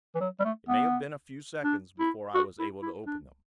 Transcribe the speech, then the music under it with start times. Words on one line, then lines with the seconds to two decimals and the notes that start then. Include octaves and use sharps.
It may have been a few seconds before I was able to open them.
0.15 E3
0.20 F#3
0.40 G3
0.44 A3
0.69 B3
1.64 D4
1.99 E4
2.34 F#4
2.59 E4
2.82 E4
3.06 D4